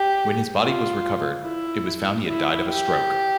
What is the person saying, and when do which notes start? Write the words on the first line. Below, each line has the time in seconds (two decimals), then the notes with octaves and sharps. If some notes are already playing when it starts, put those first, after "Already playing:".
When his body was recovered, it was found he had died of a stroke.
Already playing: G4
0.59 F4
1.44 E4
2.27 E4
2.69 G4